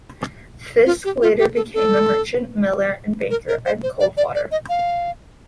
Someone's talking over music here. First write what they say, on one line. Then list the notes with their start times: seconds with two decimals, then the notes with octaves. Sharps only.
Fisk later became a merchant, miller, and banker in Coldwater.
0.86 F4
1.05 G4
1.22 F4
1.39 G4
1.56 A4
1.74 A4
3.30 A#4
3.48 A#4
3.65 C5
3.83 C5
4.00 D5
4.17 D5
4.35 D5
4.52 D#5
4.69 F5